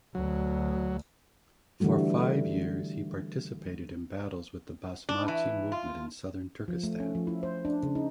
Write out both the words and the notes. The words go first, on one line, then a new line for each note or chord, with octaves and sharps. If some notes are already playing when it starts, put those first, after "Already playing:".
For five years he participated in battles with the Basmachi movement in Southern Turkestan.
D2 F#3
D3 E3 G3 A3 F#4
D4
E3
F4
F3
A3
C#4
F3
E4
C5
D4
C#3
D#4